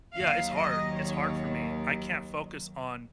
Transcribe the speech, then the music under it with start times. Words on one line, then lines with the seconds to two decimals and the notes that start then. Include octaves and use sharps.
Yeah, it's hard, it's hard for me. I can't focus on,
0.15 D#2 D#3 F#3 F5
0.54 D#5
0.93 C#5